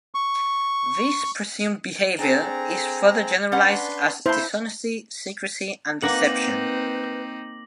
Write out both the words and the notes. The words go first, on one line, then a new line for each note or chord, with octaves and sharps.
This presumed behavior is further generalized as dishonesty, secrecy, and deception.
C#6
C4 D4 G#4 A4 A#5
C#4 D4 B4 F#5 C6
A#3 E4 C5 A5
A#3 C4 D#4 B4 F#5 D6 A#6 F#7